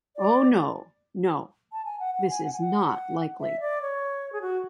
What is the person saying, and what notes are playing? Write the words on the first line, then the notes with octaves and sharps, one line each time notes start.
Oh, no, no — this is not likely.
D5
A5
G#5
F#5
F#5
G#5
F#5
G#5
F#5
E5
D5
C#5
G#4
F#4